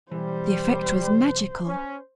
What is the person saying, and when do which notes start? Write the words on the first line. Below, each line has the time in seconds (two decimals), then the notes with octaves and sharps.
The effect was magical.
0.11 B1 E3 G3 C5
1.66 C#4